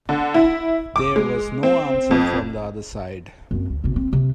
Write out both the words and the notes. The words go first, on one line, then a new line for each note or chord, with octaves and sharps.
There was no answer from the other side.
D3
E4
D6
G#3
C4
F2
F#2 C4
D2
G#1 C3
C4
C3